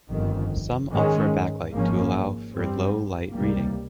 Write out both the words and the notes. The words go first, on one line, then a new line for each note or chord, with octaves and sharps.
Some offer a backlight to allow for low-light reading.
G1 F2 D#3
G#2 D#3 G#3 C#4
G#1 G#2 F3 A#3 C#4
G2 G3 C4
C#2 C3 G3 A#3